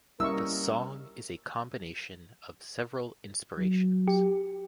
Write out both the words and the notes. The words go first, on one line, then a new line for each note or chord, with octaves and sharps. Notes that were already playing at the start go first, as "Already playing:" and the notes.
The song is a combination of several inspirations.
G3 A#3 C#4 E4 A#4 D#5 C#6 E6
F#3
G4